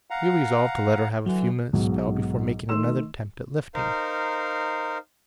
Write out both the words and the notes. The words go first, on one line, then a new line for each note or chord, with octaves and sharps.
We resolved to let her have a few minutes' spell before making another attempt at lifting.
F5 F#5 A#5
D3 E3 F#3
B1 G#2 F#3
D#3 A3 C6 E6 E7
D#4 A#4 C5 F5